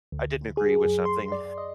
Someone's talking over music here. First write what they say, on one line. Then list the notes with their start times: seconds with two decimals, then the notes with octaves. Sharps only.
I didn't agree with something
0.12 D2
0.57 G#4
0.85 F#2
1.05 C6
1.32 D5
1.58 D#5